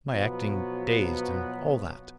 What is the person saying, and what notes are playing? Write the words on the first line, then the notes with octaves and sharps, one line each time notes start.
"My acting dazed and all that?"
B2 F3 F#3 B3